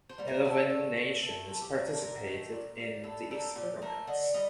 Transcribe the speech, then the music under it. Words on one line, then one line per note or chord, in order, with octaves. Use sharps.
Eleven nations participated in the experiments.
C5
G3 A#3
A#4
D3 A4
A3
A#2
A3
C3 A4
G4
G3 A#3 C4
D4
C3 A#4
D#3 A3
A#2
G3 A#3
A2 A4
G3 A#3 A4
A#2 G4
A3 A#4
D3 D#5
G3 D#5